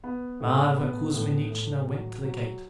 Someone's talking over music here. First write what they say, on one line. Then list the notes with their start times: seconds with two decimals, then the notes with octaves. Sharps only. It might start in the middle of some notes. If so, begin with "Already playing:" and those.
Mavra Kuzminichna went to the gate.
0.04 B3
0.40 A2
0.77 B3
1.14 A2
1.51 A2
1.88 F#3
2.24 F#3